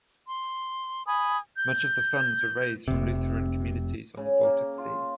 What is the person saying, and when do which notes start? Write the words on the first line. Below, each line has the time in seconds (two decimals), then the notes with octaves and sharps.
Much of the funds were raised from Lutheran communities on the Baltic Sea.
0.26 C6
1.06 G#5 B5 D#6
1.57 G6
2.88 F1 C3
4.17 C#3
4.44 A#3
4.78 F4